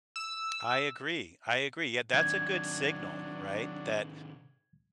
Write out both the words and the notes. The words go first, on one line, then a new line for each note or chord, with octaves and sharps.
I agree, I agree, yeah, that's a good signal, right? That
E6
C3 D#3 F#3 D4 G#6